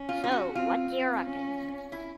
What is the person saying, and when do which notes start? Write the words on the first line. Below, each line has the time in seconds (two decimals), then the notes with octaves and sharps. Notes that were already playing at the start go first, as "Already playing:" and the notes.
'So What Do You Reckon?
Already playing: C#4
0.09 F4
0.24 F4
0.32 F#4
0.55 C4 F4
0.89 C4
1.23 C#4
1.92 E4